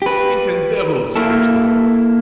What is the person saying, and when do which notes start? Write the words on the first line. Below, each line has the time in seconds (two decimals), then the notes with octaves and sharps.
"Saints and devils!" raged the Wolf.
0.02 G4 B4
1.16 A#3 E4 A4